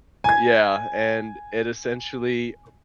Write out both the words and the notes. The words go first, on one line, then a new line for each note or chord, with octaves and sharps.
Yeah, and it essentially, u
G#5 G#6